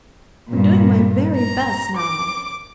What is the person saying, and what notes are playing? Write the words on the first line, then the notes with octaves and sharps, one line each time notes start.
I'm doing my very best now.
G2 A#2
A#5
D6